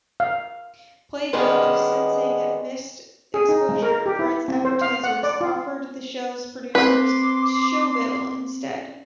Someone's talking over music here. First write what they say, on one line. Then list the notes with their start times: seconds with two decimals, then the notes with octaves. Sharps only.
"Playbill," sensing missed exposure for its advertisers, offered the show's producers "Showbill" instead.
0.20 F5
1.33 D#3 G3 G#3 B3 C#4 D4
3.34 G#4
3.49 D#4
3.69 G#3
3.82 A#4
4.06 G4
4.19 E4
4.48 C4
4.65 C5
4.81 F5
5.04 F#5
5.23 D5
5.41 F4
6.75 C4 B4 C6 D6